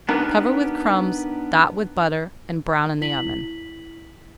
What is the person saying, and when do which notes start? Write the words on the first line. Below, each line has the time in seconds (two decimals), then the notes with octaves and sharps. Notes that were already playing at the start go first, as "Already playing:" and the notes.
Cover with crumbs, dot with butter, and brown in the oven.
0.09 B3 D4 D#4 G4 A#4 B4
3.01 E4 B6 F#7